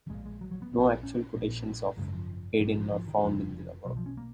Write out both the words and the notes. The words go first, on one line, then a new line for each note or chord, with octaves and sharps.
No actual quotations of Haydn are found in the work.
A#1 A#2 G#3
G#3
F#3
F#3
B3
A#1 A#2
C#4
A#1 A#2 B3
G#1 F#2 C#3 G#3
F3
A#1 G#2 F#3
F3
F3
D#3
F1 F2 C#3 F3
B1 B2 F#3
F3
C#4
A#3